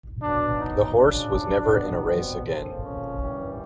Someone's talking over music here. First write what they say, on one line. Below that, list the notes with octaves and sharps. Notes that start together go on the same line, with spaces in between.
The horse was never in a race again.
B2 F#3 B3 D4
D#4
F#2 C#3 F3 D4
B2 G3 B3
C4
F2 C#3 F3 A#3 C4
C#4
G2 E3 G3 A#3